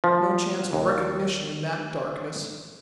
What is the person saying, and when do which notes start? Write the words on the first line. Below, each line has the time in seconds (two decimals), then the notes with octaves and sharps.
No chance of recognition in that darkness.
0.04 F3
0.73 D#2